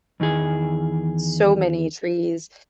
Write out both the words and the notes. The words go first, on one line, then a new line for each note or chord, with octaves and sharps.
so many trees,
E2 D#3 E3 G#4